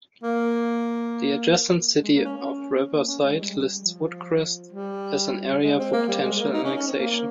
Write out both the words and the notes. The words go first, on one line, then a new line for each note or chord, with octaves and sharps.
The adjacent city of Riverside lists Woodcrest as an area for potential annexation.
A#3
G#3
A#3
C#4
C#4
A#3
C#4
G#3
G3
F3
G3
G#3
C4
A#3
G3
G#3
A#3
D#4
C#4
C#4
C4
A#3